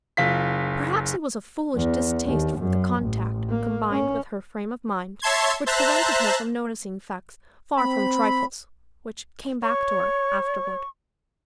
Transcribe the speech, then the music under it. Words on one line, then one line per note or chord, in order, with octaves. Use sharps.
Perhaps it was a foolish distaste for the contact, combined with her frame of mind, which prevented her from noticing facts far from trifles, which came back to her afterward.
F#1 F4 B6
E2
D#2
F#2
A1
A#3
C#4
C#5 E5 A5 C6 G#6
C5 E5 A5 A#5 F#6
C4 B5
C#5 C#6